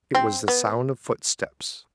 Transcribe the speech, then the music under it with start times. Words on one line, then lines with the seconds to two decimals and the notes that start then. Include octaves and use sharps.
It was the sound of footsteps!
0.15 C4
0.48 B3